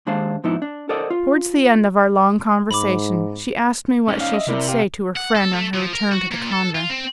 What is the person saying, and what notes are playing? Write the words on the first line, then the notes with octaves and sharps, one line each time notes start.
Towards the end of our long conversation, she asked me what she should say to her friend on her return to the convent.
D#2 G#3 D4 C5 F5
G#2 F3 B3 D#4 E4
D4
A4 A#4 C5 D5 D#5 F#5
F4
G#2 B5 D6
C#4 D#4
F5
D#5 E5
C3 E4 A#4 D5
G4 F5
F#5
A4
A3
F3
A#4
F#4
A#2
A4
F4
C4